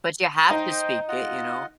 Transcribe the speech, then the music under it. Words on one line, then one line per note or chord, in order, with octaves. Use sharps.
But you have to speak it, you know?
D#4 C5 D#5 G5
F4 D#5 F#5